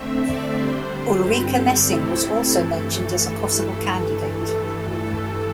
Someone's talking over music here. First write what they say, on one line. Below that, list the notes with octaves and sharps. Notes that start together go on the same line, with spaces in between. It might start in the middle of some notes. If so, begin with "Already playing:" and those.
Ulrica Messing was also mentioned as a possible candidate.
Already playing: D3 A3 C4 E5
D5
D3 G3 D4 C5
G2 D3 G3 C4 G4
A4
C3 A3 C4 E4
G2 E3 A3